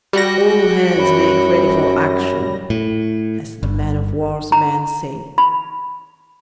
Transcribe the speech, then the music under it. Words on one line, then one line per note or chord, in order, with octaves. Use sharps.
"All hands make ready for action!" as the men-of-war's men say.
G3 F#4 G5 A#6
F#2 C#5 B5
A2
G1
A#5
B5